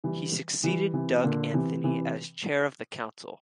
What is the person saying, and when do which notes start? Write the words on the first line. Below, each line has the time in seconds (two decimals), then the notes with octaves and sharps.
He succeeded Doug Anthony as chair of the council.
0.04 E3 G3
0.64 E3 G3
0.94 C3 E3
1.23 A#2 D3
1.54 C3 E3
1.84 C3 E3